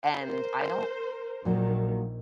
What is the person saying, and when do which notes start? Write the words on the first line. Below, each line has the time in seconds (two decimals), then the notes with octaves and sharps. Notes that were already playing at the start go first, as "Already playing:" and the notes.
and I don't
0.20 A#4 C5
1.45 A#1 A#2 D#3 F#3